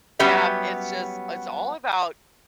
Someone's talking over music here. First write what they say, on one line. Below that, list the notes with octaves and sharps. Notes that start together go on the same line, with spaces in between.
Yep, it's just it's all about
F#3 G3 B3 C#4 G4 E5